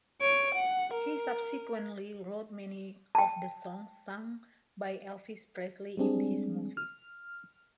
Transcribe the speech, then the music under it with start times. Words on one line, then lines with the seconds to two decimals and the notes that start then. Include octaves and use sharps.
He subsequently wrote many of the songs sung by Elvis Presley in his movies.
0.21 C#5 D7
0.55 F#5
0.94 A#4
3.15 G5 A5
5.97 G3 G#3 C4 D4 G#4
6.77 F6